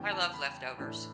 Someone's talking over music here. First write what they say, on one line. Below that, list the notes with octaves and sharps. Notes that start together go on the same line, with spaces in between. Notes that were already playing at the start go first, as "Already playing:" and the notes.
I love leftovers,
Already playing: E2 C#3 G3 G5
A5
B5
A2 E3 A3 D4